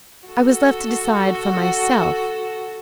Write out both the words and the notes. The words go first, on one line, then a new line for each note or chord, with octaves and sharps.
I was left to decide for myself.
F#4 A4